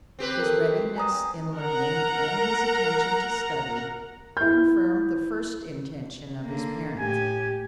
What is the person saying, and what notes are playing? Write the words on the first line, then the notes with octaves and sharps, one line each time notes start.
His readiness in learning, and his attention to study, confirmed the first intention of his parents.
C4 G4 B4
A4 A#4
G#5 A#5 D#6
A#4 F#5 A#5
E4 G6
D3 A#3
A2 G4 G#5